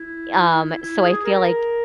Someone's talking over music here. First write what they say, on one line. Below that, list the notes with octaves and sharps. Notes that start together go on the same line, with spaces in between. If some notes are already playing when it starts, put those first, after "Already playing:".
Um, so I feel like,
Already playing: E4
E4
G#4
A#4